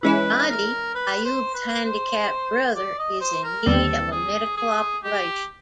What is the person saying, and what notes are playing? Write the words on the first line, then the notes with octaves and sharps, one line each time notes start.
"Madi", Ayoub's handicapped brother, is in need of a medical operation.
E3 G#3 C#4 E4 B4
A#4
B4
C5
B4
C5
D5
D#5
C5
A#4
D#2 D3 G3 C4 A4
G#4
G#4
G4